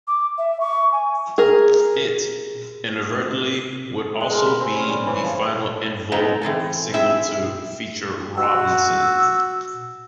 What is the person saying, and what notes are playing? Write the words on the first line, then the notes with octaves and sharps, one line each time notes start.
It, inadvertently, would also be the final En Vogue single to feature Robinson.
D6
E5
C#6
G#5
G#4 A#4
G#3
A#4
B5
C4
C#4
G3
E3
F3
G#3 B3 C4 D#4 F4
E3 C4 G#4 A4
C4 E4 G#4 E5
F#4 E6